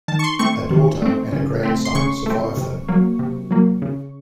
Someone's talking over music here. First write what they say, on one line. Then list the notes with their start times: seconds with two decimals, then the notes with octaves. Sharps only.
A daughter and a grandson survive them.
0.08 D#3 A5
0.19 C#6
0.24 C6
0.39 A3 C4 C#6
0.70 D#3
1.02 A3 C4
1.32 C#3
1.63 A3 C4
1.85 C6
1.95 C#3 C#6
2.26 A3 C4
2.57 C3
2.88 F#3 A#3
3.19 C3
3.51 F#3 A#3
3.82 C#3